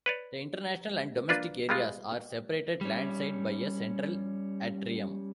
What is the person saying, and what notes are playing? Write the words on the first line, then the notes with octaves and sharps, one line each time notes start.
The international and domestic areas are separated landside by a central atrium.
B4 C#5 D5
A#3 D4 F4 B4
G3 G#3 F4
G3 C#4